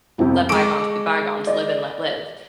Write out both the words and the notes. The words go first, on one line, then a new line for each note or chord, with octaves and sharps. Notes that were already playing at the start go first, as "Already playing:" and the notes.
let bygones be bygones? Live and let live."
C2 F2 C3
G#3 A4 C#6 D6 D7
D5 D#5